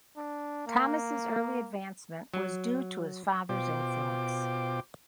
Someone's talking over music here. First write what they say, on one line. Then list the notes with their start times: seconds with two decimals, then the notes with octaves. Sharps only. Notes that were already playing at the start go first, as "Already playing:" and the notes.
Thomas's early advancement was due to his father's influence.
0.17 D4
0.67 A#3
2.34 F#3
3.49 B2 F4 C5 G5 D6